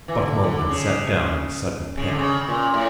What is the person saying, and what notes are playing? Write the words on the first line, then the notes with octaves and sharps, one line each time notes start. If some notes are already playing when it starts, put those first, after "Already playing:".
Buck Mulligan sat down in a sudden pet.
E3
D3
D3
C#3
C#3
D3
C#3
A#2
A2